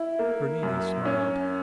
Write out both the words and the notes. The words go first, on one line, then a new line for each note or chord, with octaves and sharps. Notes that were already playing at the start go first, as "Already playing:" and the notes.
Bernini smiled.
Already playing: E4
A#3
F#2
C#4